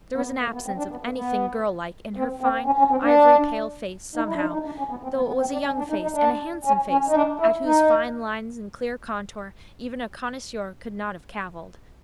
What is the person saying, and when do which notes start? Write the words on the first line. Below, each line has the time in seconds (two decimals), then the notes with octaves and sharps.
There was an absence of anything girl-like in her fine, ivory-pale face, somehow, though it was a young face and a handsome face, at whose fine lines and clear contour even a connoisseur could not have caviled.
0.16 B3
0.42 A#3
0.54 B3
0.66 C4
0.78 D4
0.91 B3
1.04 A#3
1.16 B3
2.16 C4
2.41 C4
2.66 C#4
2.79 C#4
2.91 C4
3.03 D4
4.16 D#4
4.28 E4
4.36 D4
4.41 D#4
4.53 D#4
4.66 D4
4.78 C#4
4.90 B3
5.03 C4
5.16 B3
5.28 B3
5.40 C4
5.53 D4
5.65 C#4
5.78 D4
5.90 D#4
6.02 D#4
6.14 D4
6.65 C#4
6.90 C#4
7.08 D#4
7.15 D4
7.39 E4
7.65 D#4